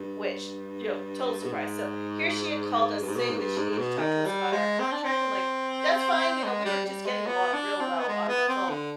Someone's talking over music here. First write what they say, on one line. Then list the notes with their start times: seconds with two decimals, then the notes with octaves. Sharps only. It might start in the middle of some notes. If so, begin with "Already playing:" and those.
Which, you know, total surprise, so, here she had called us saying that she needed to talk to us about our contract, I'm, like, "That's fine," you know, we were just getting along real well on the phone
Already playing: G2
1.45 B2
1.53 G#2
3.00 G2
3.08 G#2
3.16 B2
3.30 G#2
3.38 G2
3.57 G#2
3.70 G#2
3.78 B2
3.98 D#3
4.26 G3
4.53 G#3
4.80 C4
4.92 D4
5.04 C4
6.44 G#3
6.65 G3
6.85 G3
7.06 G#3
7.26 B3
7.53 D4
7.80 C4
7.99 B3
8.08 G#3
8.28 B3
8.49 C4
8.70 D3